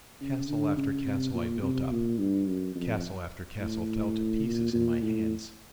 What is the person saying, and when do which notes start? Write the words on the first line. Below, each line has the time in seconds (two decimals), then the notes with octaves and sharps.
Castle after castle I built up; castle after castle fell to pieces in my hands.
0.21 C#3
0.49 D3
0.77 C#3
1.05 C3
1.34 A#2
1.62 C3
1.91 A#2
2.19 G2
2.47 F#2
2.75 F2
3.60 A2
4.45 A#2
4.73 A#2
5.02 A2